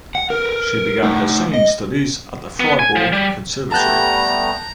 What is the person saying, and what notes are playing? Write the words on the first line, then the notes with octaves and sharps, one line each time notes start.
She began her singing studies at the Fribourg Conservatory.
F#5
A#4 B4
A3 D#4
D#5
B3
G#5
F3
G3
G3 A3 B3 A5 A#5 F#6 G6